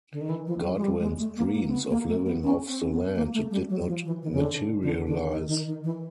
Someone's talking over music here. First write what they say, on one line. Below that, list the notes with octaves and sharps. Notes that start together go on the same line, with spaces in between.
Godwin's dreams of living off the land did not materialize.
D3
D#3
E3
F3
F#3
G#3
G3
G#3
A3
A#3
A#3
C4
B3
A#3
A3
B3
C#4
C4
B3
A#3
A3
G3
F#3
F3
E3
D#3
C#3
D3
D3
D3
D#3
D#3
D#3
E3